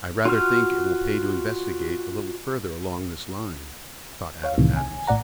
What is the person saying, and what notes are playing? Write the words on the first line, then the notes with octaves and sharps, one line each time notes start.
"I rather think it will pay to investigate a little further along this line," thought Adam Adams.
F4 F#4 F6
C#5 F5
C2 A2 C3 D#3 E3
G#5
A#1 A2 D5 F#5 A#5